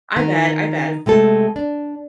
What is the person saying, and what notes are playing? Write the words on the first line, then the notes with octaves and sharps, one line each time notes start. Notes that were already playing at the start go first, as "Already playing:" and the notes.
I bet, I bet.
D#3
C3 G#3 A3 A4
D4